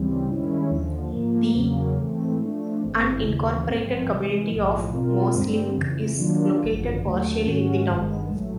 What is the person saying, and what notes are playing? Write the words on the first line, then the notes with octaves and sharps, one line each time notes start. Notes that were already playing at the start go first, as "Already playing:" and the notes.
The unincorporated community of Mosling is located partially in the town.
Already playing: D2 C#3 E3 G3 C4
G2 D#3 G#3 C#4 E4
D#2 D3 F3
G#2 F3 A#3
E2 C#3 F#3 A#3 C#4
G#2 E3 A3 C4
F3 A3 D4
G#1 G2 E3 G#3 C4
D#2 C#3 E3
A1 G#2 F3 G#3 C4
C3 E3 G#3
B1 A2 F3
B2 G#3 C4 F4 A#4
G2 D3 G3 C4
F2 C#3 E3
D#3 F#3 A#3 D4 F4
G#1 F#2 D3 F3
D#2 D3 F#3 A3
G#2 D#3 G#3 C#4 F#4
G1 G2 D#3 G#3 B3
A#1 A2 F#3 A3